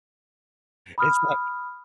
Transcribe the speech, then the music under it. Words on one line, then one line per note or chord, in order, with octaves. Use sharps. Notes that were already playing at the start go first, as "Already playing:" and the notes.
It's not
B5 D#6 F6